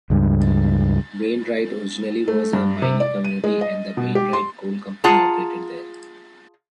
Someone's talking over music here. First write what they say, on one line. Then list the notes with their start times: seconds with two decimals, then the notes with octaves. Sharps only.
Wainwright originally was a mining community and the Wainwright Coal Company operated there.
0.10 C#2 G2
2.28 A3
2.53 G2
2.82 C3
3.00 D5
3.24 D#7
3.44 G#3
3.61 D#5
3.97 B2
4.15 G4
4.33 C6
5.04 F4 G#4 F#5 A5 A#5